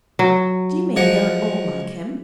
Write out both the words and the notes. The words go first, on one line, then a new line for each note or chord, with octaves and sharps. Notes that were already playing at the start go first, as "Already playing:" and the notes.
"Do you mean they're all like him?"
F#3
F3 G#3 F#5